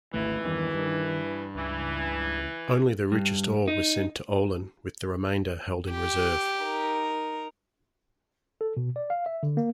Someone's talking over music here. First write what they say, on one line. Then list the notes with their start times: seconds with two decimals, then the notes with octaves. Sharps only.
Only the richest ore was sent to Olen, with the remainder held in reserve.
0.14 G#1 D2 E3 A3
0.45 E2 G2 D#3
0.74 G2
1.55 C#2 E3
3.12 G2
3.68 D#4
5.91 G4
6.63 D#4 A#4
8.61 A4
8.77 B2
8.96 D5
9.10 F5
9.26 E5
9.43 D3
9.57 A#3